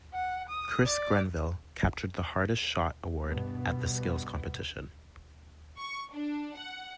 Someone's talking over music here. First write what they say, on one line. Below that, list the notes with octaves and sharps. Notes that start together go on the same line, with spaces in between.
Chris Grenville captured the hardest shot award at the skills competition.
F#5
D#6
D5
G2 B2 B3
C#6
D4
F#5